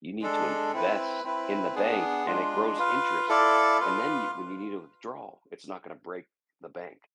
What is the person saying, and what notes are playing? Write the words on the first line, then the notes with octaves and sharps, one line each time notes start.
You need to invest in the bank, and it grows interest, and then you when you need to withdrawal, it's not gonna break the bank."
G#3 D4 A4
C4 E4 B4
C4 E4 B4
B3 D4 G#4
G#3 D4 F4
F4 B4 F5
E4 A4 D5 F5
F4 B4 F5